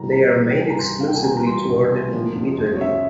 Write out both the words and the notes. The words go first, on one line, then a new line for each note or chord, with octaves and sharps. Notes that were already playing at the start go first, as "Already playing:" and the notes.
They are made exclusively to order individually.
Already playing: C2 E3 G3 A#5
C3 A#5
E3
G5
G3 G#5
A#5
C2 C6
C3 F5
G5
G#5
E3 A#5
A#5
G3 C6
C2
C3
F3
F2
F2
C#5
C#3 E5